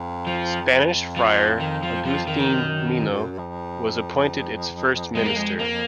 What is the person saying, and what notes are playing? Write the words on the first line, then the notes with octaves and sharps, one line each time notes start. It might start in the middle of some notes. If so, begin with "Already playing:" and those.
Spanish Friar Agustin Mino was appointed its first minister.
Already playing: F2
F3
F2
F3
D#3
F3
F3
D#3
F#2
F2
G#3
A#3
G#3
A#3